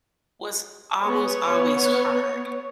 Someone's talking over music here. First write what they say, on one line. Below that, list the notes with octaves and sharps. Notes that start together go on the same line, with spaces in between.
was almost always hard,
B3 C#5